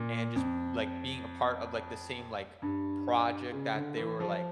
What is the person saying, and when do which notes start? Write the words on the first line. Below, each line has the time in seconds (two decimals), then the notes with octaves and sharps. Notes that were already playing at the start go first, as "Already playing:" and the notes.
and just, like, being a part of, like, the same, like, project that they were, like,
Already playing: A#2
0.36 F2
2.62 G2
3.52 C#3
3.75 D3
3.97 E3
4.20 F3